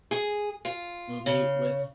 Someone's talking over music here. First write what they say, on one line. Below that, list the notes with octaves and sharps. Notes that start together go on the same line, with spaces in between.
movie with,
G#4
F4
C#3